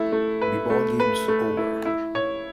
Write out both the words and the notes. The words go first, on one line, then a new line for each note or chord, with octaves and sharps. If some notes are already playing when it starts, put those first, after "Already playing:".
The Ball Game's over!
Already playing: A3 E4
A3
B4
A3
B4
A3
E4
E4
C#5